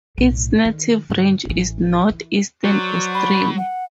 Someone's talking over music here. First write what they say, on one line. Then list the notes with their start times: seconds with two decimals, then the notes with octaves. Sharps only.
Its native range is Northeastern Australia.
0.18 B1 A2
0.65 D#3
1.10 G2 D3
1.45 A1 E3
2.10 E3
2.64 F#3 F#4 C5 D5
3.14 B5
3.58 F#5